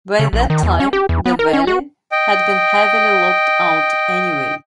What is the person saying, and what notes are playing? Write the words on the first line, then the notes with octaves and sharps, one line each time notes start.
By that time, the valley had been heavily logged out anyway.
C#3
A#1
D#3
E2
C#4
G4
E2
B3
A#4
C#4
F#4
D#5 G5